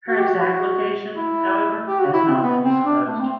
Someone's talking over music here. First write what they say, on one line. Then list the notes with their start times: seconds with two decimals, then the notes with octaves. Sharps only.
Her exact location, however, has not been disclosed.
0.08 F#4
0.18 G4
0.28 F#4
1.15 E4
1.87 G4
1.99 F#4
2.14 E4
2.29 C4
2.43 B3
2.64 C4
2.85 D4
3.07 A3
3.19 C4